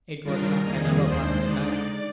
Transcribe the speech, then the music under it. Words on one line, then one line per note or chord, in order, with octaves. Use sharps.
It was half an hour past the time.
G2 D#3 G3 D4 F4 A#4
F2 D#3 G3 A#3 D#4 G#4
D#2 D#3 G#3 D4 C5
D3 G#3 D#4 D5